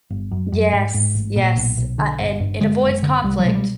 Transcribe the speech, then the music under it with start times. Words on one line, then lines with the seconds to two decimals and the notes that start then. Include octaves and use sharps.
Yes, yes, uh, and it avoids conflict.
0.10 G1
0.32 F#2
0.52 F#2
0.73 G#2
0.94 G#2
1.15 A1
1.36 A#2
1.57 B1
1.77 B1
1.98 D3
2.19 G1
2.40 G2
2.61 D3 G#3
2.82 F#1
3.03 D3
3.24 C2 G3
3.39 F#3
3.45 B2 G#3
3.55 G3